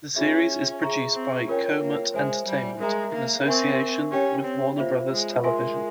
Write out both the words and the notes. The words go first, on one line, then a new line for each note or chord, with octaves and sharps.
The series is produced by KoMut Entertainment in association with Warner Brothers Television.
C#4 F4 G#4 E5
G#4 E5 A#5 C#6
C4
C#4 F4 A#4 C#5 G5
A#3
G#3 C5 E5 G#5
G3
G#3 A#4 E5 A#5
A#3
C4 A#4 E5 G#5 C#6
C#4 G4 C#5 G5
C4
A#3 F4 C5 E5
G#3
G#3 F4 A#4 E5 G#5 C6